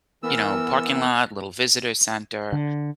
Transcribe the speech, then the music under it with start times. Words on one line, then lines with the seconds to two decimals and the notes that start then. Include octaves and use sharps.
you know, parking lot, little visitor center,
0.23 E3 B3 A#4 E6
2.52 D3